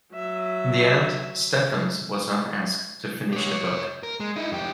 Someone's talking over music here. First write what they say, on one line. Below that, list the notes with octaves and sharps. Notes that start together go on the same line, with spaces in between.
In the end, Stephens was not asked to finish the book.
F#3 E5
G4 C#5
A#4 C#5
A#4
G#3
D#4 E4
F2 G4